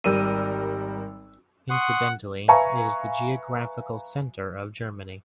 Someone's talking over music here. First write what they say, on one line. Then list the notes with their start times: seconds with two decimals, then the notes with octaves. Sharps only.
Incidentally it is the geographical centre of Germany.
0.04 G#1 G3 A#4 E6 D#7
1.71 F#5 C6 C#6 D#6
2.48 B4 E5 F5 G#5 A#5 C#6